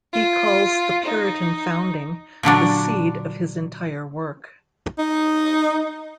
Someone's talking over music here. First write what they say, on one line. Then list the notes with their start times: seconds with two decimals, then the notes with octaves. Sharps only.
He calls the Puritan Founding the "seed" of his entire work.
0.13 F4
1.05 D#4
2.43 A#2 D3 F#3 D4
4.99 D#4